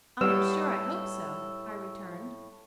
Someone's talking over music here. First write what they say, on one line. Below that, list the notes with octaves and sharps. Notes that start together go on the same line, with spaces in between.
"I am sure I hope so," I returned.
A2 G3 B4 F#5 E6